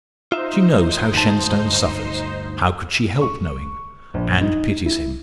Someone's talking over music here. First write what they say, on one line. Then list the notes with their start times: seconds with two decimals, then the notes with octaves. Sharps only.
She knows how Shenstone suffers--how could she help knowing? and pities him.
0.32 D#4 F4 C5 E5
1.14 D2 G2 A5
3.21 C#6
4.14 A#1
4.41 D#4
4.86 E4